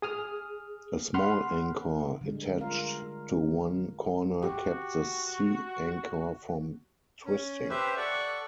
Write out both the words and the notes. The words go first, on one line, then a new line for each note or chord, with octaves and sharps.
A small anchor attached to one corner kept the sea anchor from twisting.
G#4 D#6 F6
F#5 B5 C6 F6 F#6
D3 G3 G#3
F4 A#4 F5
F#4 G4
C#4
G4 B4 C5 E5
A4 D5 F#5 C#6